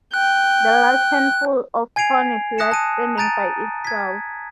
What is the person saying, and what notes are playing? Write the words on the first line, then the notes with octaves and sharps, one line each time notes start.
The last handful of corn is left standing by itself.
G5 F#6
G#5 G#6 C7 D7 F7
D#6 F#6 A#6 C#7 E7
A5 D#7
A#5 G6 A6 D7 D#7
G#6 B6